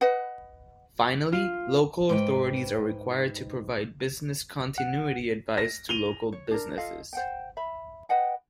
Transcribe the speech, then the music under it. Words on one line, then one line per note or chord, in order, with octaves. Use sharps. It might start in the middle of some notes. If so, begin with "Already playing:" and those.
Finally, local authorities are required to provide business continuity advice to local businesses.
B4 D#5 F#5
F4
G#2 B4 G5
F#5
A#6
D#7 F7 G7
C#5
D4 A#4
F4 A4 D#5 F5
C5 F#5 G5
E5 B5
B4 D#5 F#5 G5